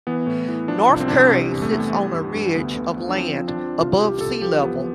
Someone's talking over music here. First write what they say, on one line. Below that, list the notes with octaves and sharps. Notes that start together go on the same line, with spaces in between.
North Curry sits on a ridge of land, above sea level.
E3 B3
A2
E3
F3 D4
C2
C4
C2 D4
C4
C3
E2
A3
E2
G3
G2
G2
D2 B3
D3
F3
D4
F3 C4
F3
D4
F3
C2 F4
C2 G4
C2 A4
F3 G4
E2 B3